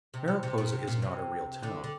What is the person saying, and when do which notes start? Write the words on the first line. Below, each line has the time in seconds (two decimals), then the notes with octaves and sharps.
Mariposa is not a real town.
0.14 C3
0.28 C3
0.43 C3
0.58 A#2
0.72 C3
0.87 A#2
1.02 C3
1.63 D3
1.84 D3